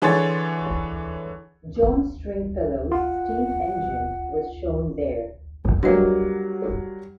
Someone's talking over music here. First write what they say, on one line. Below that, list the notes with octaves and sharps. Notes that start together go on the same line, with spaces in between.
John Stringfellow's steam engine was shown there.
D3 E3 G#4 C#5 C6 A6
F4 F#5
F#3 G3 A#3 D4 F#4 B4 D#5